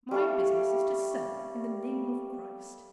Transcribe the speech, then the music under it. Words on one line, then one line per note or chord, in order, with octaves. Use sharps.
My business is to sell in the name of Christ.
G3 A3 C#5 F5